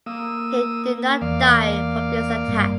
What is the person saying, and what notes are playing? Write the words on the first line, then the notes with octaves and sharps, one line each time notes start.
He did not die from this attack.
A#3 D#6 E6
E2 D5 F5
G#1 G2